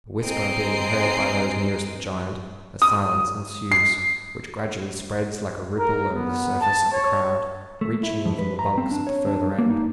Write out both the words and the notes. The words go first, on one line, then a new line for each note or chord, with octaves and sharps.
The whisper being heard by those nearest the giant, a silence ensues, which gradually spreads like a ripple over the surface of the crowd, reaching even the bunks at the further end.
C4 G#4 D#5 A#5 C7 D7
D#6
C7
A#4
B3
A5
C#5
A3
E4
F2
B4
A#5
C4
D4
C#5
D4
A#3
D#4